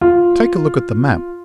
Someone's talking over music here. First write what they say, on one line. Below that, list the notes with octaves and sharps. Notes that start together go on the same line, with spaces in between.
Take a look at the map!
F4